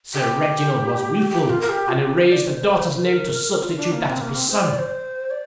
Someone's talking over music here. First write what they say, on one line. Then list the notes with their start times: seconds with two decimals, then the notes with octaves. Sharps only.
Sir Reginald was wilful, and erased the daughter's name to substitute that of his son.
0.14 G4
1.30 G4
1.50 F4
1.61 A#4
1.69 G4
1.89 F4
2.02 G4
2.18 C5
2.32 D5
2.47 C5
2.75 C5
3.04 A#4
3.62 F4
3.77 D4
3.92 A#3
4.07 C4
4.21 A#3
4.35 C4
4.49 C5
4.65 D5
4.79 C5
5.31 D5